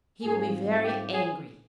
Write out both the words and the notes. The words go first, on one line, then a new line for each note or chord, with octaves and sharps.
"He will be very angry."
G#2 G3 C4 F4 G#4
G4
G#4